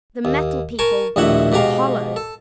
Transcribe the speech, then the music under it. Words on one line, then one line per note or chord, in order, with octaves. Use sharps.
The Metal People were hollow!
D#2
A#4 G#5 A5 C#6
A#1 D#2 A2 F#4 E5 F#5
G#2 B2 F#4 G4 F5
A4